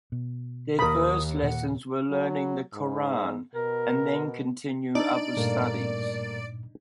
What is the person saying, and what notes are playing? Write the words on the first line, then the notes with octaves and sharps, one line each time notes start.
Their first lessons were learning the Quran and then continue other studies.
B2
D#2 A#4 B5 D#6
A#2 F#5
F#3
G#2
B2 A#4
D4 D#4 D5
G2 A#2 G3 A3 A#3